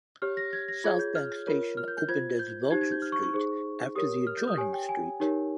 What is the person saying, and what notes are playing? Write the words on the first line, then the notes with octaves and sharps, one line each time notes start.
South Bank station opened as Vulture Street, after the adjoining street.
G4 C#5 F6
A#6
G#6
A#6
F4 G#4 C#5 G#6
G6
F6
F4 A#4 C#5
F6
G6
G6
F4 C5 G#6
G6
D#4 G4 C5 G#6
G#6
G6
F6
C#6
C#6
D#4 G#4 C5
G4 A#4 C#5 D#6
F6
G6
D#6
G4 C#5 G#5
G5
G#5
D#4 G4 A#4 C#5